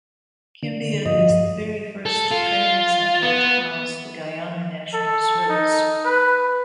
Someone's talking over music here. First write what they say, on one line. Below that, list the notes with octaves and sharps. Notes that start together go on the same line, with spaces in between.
Kimbia is the very first training center to house the Guyana National Service.
D3
G2 F3 D#5
A4
F4
B3
A4
D#4
B4